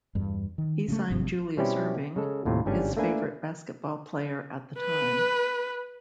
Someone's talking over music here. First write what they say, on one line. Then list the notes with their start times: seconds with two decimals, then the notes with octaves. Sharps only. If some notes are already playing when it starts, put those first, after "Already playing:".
He signed Julius Erving, his favorite basketball player at the time.
0.15 E2 G2
0.58 D#3
0.88 C#3 F3 A3
1.10 G#1 G2 C3
1.57 B2 G3 C4 C#4 E4 G4
2.16 C#3 G#3 A4
2.45 D#2 A2 C3 F4
2.66 G1 G#2 G3 C#4 D4 G#5
2.97 A3 A#3 D4 B4 G#5
4.79 B4